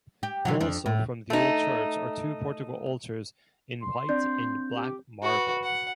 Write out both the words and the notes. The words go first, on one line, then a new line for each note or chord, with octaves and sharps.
Also from the old church are two portico altars in white and black marble.
G4
C3 E3 F#3
F2 D4
A2
A3 D#4
C6
C4 D4 G6
G4
F#4 B4
F#5